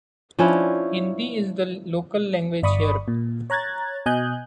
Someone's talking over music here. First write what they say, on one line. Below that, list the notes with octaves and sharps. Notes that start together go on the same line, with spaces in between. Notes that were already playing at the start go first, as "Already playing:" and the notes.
Hindi is the Local Language here.
F3 C#4 D4 E4
G1 D5 B5 C#6 D#6
A#2
C#5 A#5 F#6 G#6 A6
B2 D#5 G#5 F#6 G6